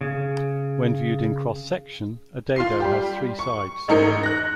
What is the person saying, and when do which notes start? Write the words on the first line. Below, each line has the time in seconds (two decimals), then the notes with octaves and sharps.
When viewed in cross-section, a dado has three sides.
0.01 C#3
2.56 F4 C6 C7
2.80 G3 G4
3.39 C#6
3.88 A1 G#2 D#4 A#4 C#7
4.23 F#6 A#6